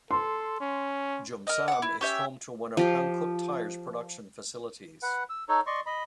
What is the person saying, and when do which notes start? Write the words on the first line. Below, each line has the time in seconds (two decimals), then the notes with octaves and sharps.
Geumsam is home to one of Hankook Tire's production facilities.
0.11 A4 C6
0.60 C#4
1.47 A#4 D#5
1.68 F#5 D6
1.82 E4
2.01 C#4 G4 E5
2.77 F3 G4
5.03 B4 F#5
5.29 E6
5.49 D#4 A4 C#5
5.67 D5 D#5 C6 C#6
5.86 D#5 B5